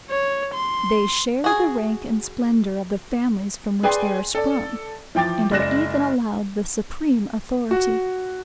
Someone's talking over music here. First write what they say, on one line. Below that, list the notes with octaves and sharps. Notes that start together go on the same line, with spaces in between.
They share the rank and splendor of the families from which they are sprung, and are even allowed the supreme authority.
C#5
C6
F#4 G#4
G#4 B4 D5 G5 G#5 C6
A4 D5
E3 F3 G5 D6 A6
F#1 G#3 D5 F#6 A#6 E7
F#4